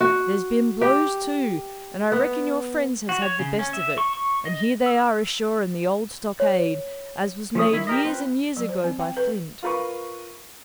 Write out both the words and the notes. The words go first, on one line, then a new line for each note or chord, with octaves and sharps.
There's been blows too, and I reckon your friends has had the best of it; and here they are ashore in the old stockade, as was made years and years ago by Flint.
F#4
G4
B3
F#4
C#5
C#3
C#4
E5
C#6
C#6
D#5
E6
C#5
F3 A3 C#4 D#6
D#3 E4 E5
G4 A#4 D#5
C4 F4 B4
F#3
C5
C4
G5
B4
F4 A#4 B4 C#6